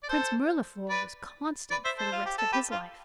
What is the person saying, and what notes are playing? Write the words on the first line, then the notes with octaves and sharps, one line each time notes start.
Prince Mirliflor was constant for the rest of his life.
D5
A4 C5
B4 D5
B4 D5
C5 E5
A4 C5
F4
G4
A4
G4 B4
F4